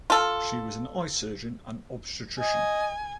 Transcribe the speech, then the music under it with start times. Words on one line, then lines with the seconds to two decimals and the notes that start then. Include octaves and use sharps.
She was an eye surgeon and obstetrician.
0.10 F4 A4
2.39 D#5 G#5